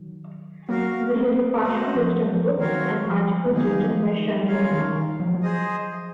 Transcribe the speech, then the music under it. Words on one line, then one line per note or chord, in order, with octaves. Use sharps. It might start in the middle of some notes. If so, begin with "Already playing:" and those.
This is a partial list of books and articles written by Shanmugathasan.
Already playing: D#3 F#3
F#3 A#3 F#4 A#4 F5
G#3 C4
F#4 C5 D#5 F#5
F3
F3
D#3 F#3 C4 F#4 A#4 C#5 F5
F3 G#3
G#3
D#3 F#3 A#3 D#4 G#4
F3
D#3
C#4 F4 A#4 C#5 F5
D#3
D#3
F3
F#3
F3
G#4 C5 D#5